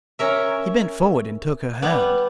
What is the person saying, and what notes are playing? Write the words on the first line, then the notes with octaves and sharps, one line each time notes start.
He bent forward and took her hand.
C#4 A#4 E5
G3 B3